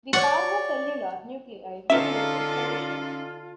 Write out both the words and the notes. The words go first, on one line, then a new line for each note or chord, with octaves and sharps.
The parvocellular nuclei regulate exhalation.
C#5 D5 F#5 C#6
D3 C#4 D#4 F4 A4 E5